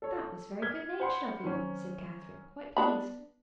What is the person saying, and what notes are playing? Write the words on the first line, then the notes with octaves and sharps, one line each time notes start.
"That was very good-natured of you," said Catherine, quite pleased.
A4 C#5
F6 G#6 B6 G7
C5 F#5 B5 C6
D#3 F#3 C4 C#4
B3 D4 B5